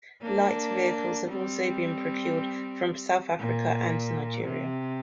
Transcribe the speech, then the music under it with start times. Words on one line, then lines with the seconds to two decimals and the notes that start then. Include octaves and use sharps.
Light vehicles have also been procured from South Africa and Nigeria.
0.22 A#3 D4
1.28 G3 C4
3.39 A#2
4.44 C3